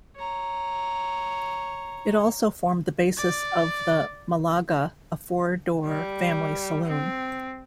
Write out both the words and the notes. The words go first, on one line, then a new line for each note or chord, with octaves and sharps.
It also formed the basis of the Malaga, a four-door family saloon.
C#5 A#5
D5
G3
C4